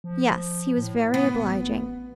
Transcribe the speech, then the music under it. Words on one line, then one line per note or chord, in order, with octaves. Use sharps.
'Yes; he was very obliging.
F3
A2
B3
A1